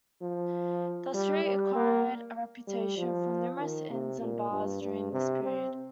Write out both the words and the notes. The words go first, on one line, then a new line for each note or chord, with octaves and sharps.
The street acquired a reputation for numerous inns and bars during this period.
F3
G3
G3
A#3
G3
F3
D#3
C3
A#2
G2
G2
C3
C4